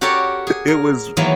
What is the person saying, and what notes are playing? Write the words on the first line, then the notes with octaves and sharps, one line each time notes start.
it was
F#4 G4 A4 A#4 C#5 D5
G#4
A#4
D#3 E3 F#3 G#3 A#3 B3